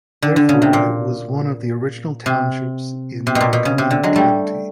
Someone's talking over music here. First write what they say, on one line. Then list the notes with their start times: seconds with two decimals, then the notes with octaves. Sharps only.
Therefore, it was one of the original townships in Lycoming County.
0.22 D3
0.36 D3
0.49 C#3
0.62 C3
0.73 A#2
2.26 C3
3.27 C3
3.35 B2
3.41 A#2
3.53 B2
3.65 C#3
3.78 C3
3.90 D3
4.03 F#3 G#3
4.16 G3 A3